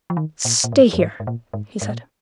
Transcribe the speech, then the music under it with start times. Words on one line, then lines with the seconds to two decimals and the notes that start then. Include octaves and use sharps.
"Stay here," he said.
0.10 F3
0.17 D#3
0.45 A#2
0.64 A#2
0.72 G#2
0.93 F2
0.99 G#2
1.20 G#2
1.27 A#2
1.53 G#2
1.81 G#2
1.89 A#2